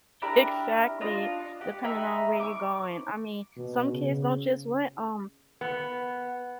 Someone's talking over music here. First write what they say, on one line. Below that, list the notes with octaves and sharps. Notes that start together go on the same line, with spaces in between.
exactly, depending on where you're going. I mean, some kids don't just want, um,
D4 E4 G4 A#4
D4 F4 D#5
G4 F#5
A#3 D#4 E5 B5
C#6 D6
B2
C#3
B3